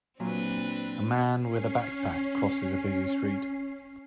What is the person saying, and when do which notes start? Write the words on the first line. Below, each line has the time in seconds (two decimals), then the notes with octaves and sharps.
A man with a backpack crosses a busy street.
0.20 A#2 F#3 C4 D4 B4
1.38 C#4 C7